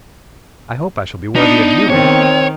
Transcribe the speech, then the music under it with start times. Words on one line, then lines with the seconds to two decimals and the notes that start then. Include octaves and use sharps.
'I hope I shall be worthy of YOU, aunt.
1.35 B3 D4 D#4
1.90 D#3 C4 C#5